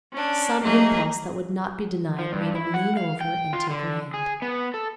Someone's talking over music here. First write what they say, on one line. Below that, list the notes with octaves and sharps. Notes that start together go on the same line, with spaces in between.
Some impulse that would not be denied made him lean over and take her hand.
C#4 D4
F#3 A3 A#3 D#4 G#4
F3
G2
E4
F#5
F5
G5
F4
D3
G#4
B3
A4